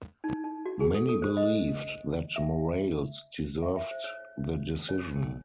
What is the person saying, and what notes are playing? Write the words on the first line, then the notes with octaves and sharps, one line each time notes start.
Many believed that Morales deserved the decision.
D#4
D#4
F#4
G#4
A4
A4
C5
D#5
E5
E5
E5
C5
C#5
C#5